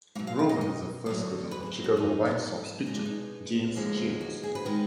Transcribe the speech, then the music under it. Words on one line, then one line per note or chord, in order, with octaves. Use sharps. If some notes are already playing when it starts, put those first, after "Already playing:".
Rowand is the first cousin of Chicago White Sox pitcher James Shields.
A#3 F#5
B2 F#3
F5
F5
D#5
D#5
D2 D3 F#3 D5
B4
G#4
A#4
F#4
G#2 F#3 B3 D#4
B2 G#3 B3 D#4
D4
D#4
D#2 D3 F3 G#3 B3
F#4
G#4
B4
D#3 G#3 B3 A#4